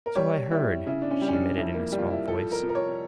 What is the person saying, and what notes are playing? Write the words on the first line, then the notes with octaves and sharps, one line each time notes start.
"So I heard," she admitted in a small voice.
A#4
G3 C#5
G3 E4
C#3 E4
D4
C#4
G3
C#4
D4
F2 E4
A#3
G3
F4
E4
F3 A4
A#4
F3
A#4
C#5